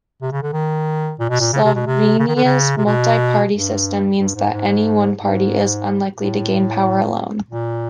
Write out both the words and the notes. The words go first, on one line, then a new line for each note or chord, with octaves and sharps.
Slovenia's multi-party system means that any one party is unlikely to gain power alone.
C3
C#3
D3
D#3
A#2
B2
A#2
C#3
C3
B2
C3
C#3
D#3
D3
C#3
C3
B2
G2
G2
G#2
G#2
G#2
A2
A#2